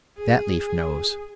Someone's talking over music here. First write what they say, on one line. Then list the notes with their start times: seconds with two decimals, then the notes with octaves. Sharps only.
That leaf knows.
0.17 G#4